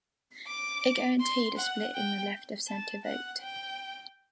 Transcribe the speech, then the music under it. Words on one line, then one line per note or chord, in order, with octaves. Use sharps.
It guaranteed a split in the left-of-centre vote.
D6
C6
F#5
G5
A5
F#5
G5